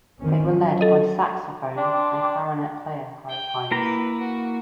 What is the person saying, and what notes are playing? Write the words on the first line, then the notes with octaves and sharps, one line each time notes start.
They were led by saxophone and clarinet player Harry Hines.
D#3 C4 C#4
F#3
A4 D#5
D4 G5 C6 D6
G5
A#3 E4 B4 A#5
F#4